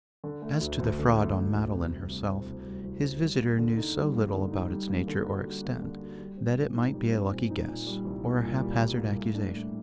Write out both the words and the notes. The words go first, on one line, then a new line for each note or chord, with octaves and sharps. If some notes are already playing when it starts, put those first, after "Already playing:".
As to the fraud on Madeline herself, his visitor knew so little about its nature or extent, that it might be a lucky guess, or a hap-hazard accusation.
D3
A3
D2
D2
D3
A3
D2
D2
C3
G3
C2
C4
C3
G3
C2
C4
G3
A#3
D3
D#4
G3
A#3
D3
D#4
G3
A#3
D3
F#4
G3
A#3
D3
F#4
G3
C4
A#2
D#4
G3
C4
A#2
D#4
A#2
G3
C2
A#3
A#2
G3
C2
A#3
A3
D4
A2